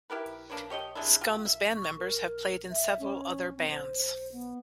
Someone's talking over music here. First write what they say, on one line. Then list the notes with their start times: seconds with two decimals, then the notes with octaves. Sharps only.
Scum's band members have played in several other bands.
0.10 E4 G4 A#4 B4
0.50 A#3 D4 B4 C#5
0.70 G4 C#5 D#5 G5
0.95 C3 G#3 D4 E4
1.21 F4 G4
1.46 E5
1.74 C#6
1.98 A#4
2.71 E5
2.99 C#4
3.57 C4
3.70 C5
4.32 B3